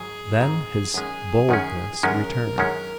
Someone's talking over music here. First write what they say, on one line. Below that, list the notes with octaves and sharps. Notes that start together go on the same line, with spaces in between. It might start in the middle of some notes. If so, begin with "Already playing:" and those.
Then his boldness returned.
Already playing: G#2 D#3 F#3 G#4
G#2 D#3 F#3 C4
F#2 D#3 G#3 C#4 G#4
F#2 D#3 G#3 C#4
F#2 D#3 G#3 C#4 A#4
F#2 D#3 G#3 C#4